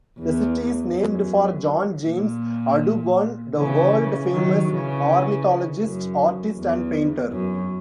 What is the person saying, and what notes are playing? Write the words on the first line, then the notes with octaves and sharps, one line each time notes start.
The city is named for John James Audubon the world-famous ornithologist, artist, and painter.
E2
F#2
A#2
C#3 E3
D#3 F#3
C#3 E3
F#2
E2
F#2